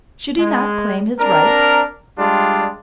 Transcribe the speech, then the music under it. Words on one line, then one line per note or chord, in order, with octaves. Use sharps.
Should he not claim his right?
G#3
C4 D4 A#4
G3 G#3 D4 F4